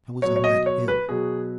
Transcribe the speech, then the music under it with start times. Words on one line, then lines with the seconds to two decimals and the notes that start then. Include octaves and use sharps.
"I was on that hill."
0.22 B2 F#3 C#5
0.36 C#5
0.44 D#5
0.66 C#5
0.88 B4
1.09 B2 F#3 G#4